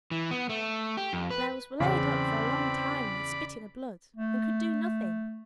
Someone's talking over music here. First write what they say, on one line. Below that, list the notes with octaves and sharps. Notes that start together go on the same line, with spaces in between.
But I was laid up for a long time with spitting of blood; and could do nothing.
E3
B3
A3
G4
F2
B4
E2 C#3 C4 D5 B5
A3